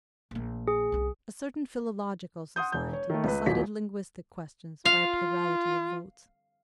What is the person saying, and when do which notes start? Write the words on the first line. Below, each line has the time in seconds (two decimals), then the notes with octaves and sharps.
A certain philological society decided linguistic questions by a plurality of votes.
0.31 A#1 A#3
0.68 G#4
0.92 C2 C#4
2.56 F#5 C6 D#6 G6
2.72 E1 G6
2.93 C#5
3.10 D#3 A3
3.24 C#2 B4
3.46 D#1 A1 F3 F#3 B6
4.85 F4 F5